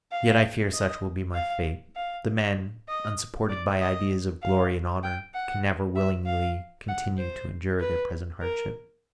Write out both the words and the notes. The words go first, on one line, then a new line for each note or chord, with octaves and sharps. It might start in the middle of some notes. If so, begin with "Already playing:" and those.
Yet I fear such will be my fate; the men, unsupported by ideas of glory and honour, can never willingly continue to endure their present hardships.
F5
D#5
F5
F5
D#5
D5
D#5
F5
G5
F#5
E5
F5
F#5
C5
B4
A#4